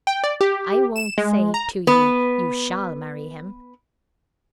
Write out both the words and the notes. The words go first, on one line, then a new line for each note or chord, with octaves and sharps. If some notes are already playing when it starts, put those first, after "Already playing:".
I won't say to ye, you SHALL marry him.
G5
D5
G4
E7
G#3
A#5
B3 B4